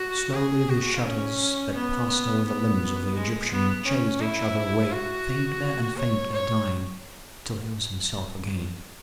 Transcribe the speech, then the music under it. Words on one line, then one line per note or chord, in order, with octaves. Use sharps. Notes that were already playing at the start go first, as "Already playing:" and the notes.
Slowly the shudders that passed over the limbs of the Egyptian chased each other away, faintlier and faintlier dying till he was himself again.
Already playing: F#4
G#4
F#4
C#4
B3
B3
G#3
B3
C#4
E4
F#4
C#5
C#5